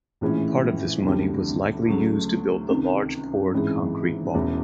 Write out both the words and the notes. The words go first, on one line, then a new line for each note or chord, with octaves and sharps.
Part of this money was likely used to build the large poured concrete barn.
A#1 A2 E3 G#3 C#4
D2 D3 G3 C4
D2 C#3 F#3 A3
C#2 C3 D#3
A1 G#2 E3 G#3 C4
E1 E2 C#3 E3